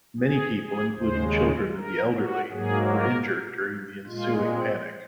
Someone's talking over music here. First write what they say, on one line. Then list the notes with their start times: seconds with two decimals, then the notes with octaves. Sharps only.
Many people, including children and the elderly, were injured during the ensuing panic.
0.20 G#4
0.59 G#4
0.97 D#2 C#3 G#3 C5
1.74 A#4
2.14 F#4
2.52 G#2 F#3 A#3 G#4
2.90 A#4
4.06 A#2 G#3 F4
4.45 C4